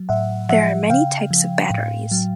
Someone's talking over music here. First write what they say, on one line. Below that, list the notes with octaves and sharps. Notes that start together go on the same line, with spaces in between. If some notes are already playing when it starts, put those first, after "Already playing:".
There are many types of batteries.
Already playing: F#3
A2 E5 F#5
F3 E5 F#5
C#3 F5 G5
F3
A2
F#3